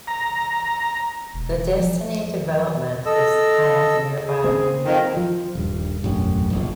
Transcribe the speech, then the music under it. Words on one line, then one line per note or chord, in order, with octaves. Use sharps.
The Destiny development is planned nearby.
A#5
E1
F3
A4 D#5 E6
G#4
C#3 A#3 C4 C#4
F2 D#3 A#4
F3
D#1 G2
E1 A1 F#2
F1 A#1